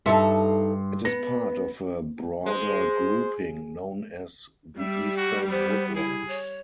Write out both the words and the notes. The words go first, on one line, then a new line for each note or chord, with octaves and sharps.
It is part of a broader grouping known as the Eastern Woodlands.
G2 D#4 A4 E5 C6 C#7
B3 A#6
G#3 C5
G3 E5
F#4
B3 C5
E4 G#4
C#5